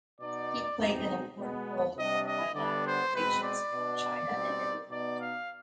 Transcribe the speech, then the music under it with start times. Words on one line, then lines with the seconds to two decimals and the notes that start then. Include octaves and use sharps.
He played an important role in the bilateral relations between China and Italy.
0.20 B2 B3 D#4 D5
0.79 B2 G#3 C4 D#4
1.38 B2 G#3 B3
1.97 C3 G3 D4 D#5
2.25 D#5
2.55 D3 G3 B3 D4 D5
2.85 C5
3.13 B2 G#3 C4 B4
3.43 D5
3.73 B2 B3 D4
4.31 B2 G3 C4 D#4
4.90 B2 B3 D#4 D5
5.19 F5